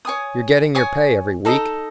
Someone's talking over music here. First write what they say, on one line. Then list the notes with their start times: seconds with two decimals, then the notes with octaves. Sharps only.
You're getting your pay every week.
0.05 C#5 G#5 D#6
0.75 C#5 G#5 D#6
1.45 D#4 A4 D#5